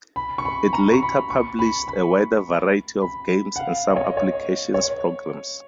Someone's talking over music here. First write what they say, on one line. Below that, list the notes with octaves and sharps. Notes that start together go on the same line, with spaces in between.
It later published a wider variety of games and some applications programs.
B5
C#6
B5
A#5
C#6
B5
C#6
B5
B5
B5
F#5
F5
D#5
C#5
D#5
C#5
C#5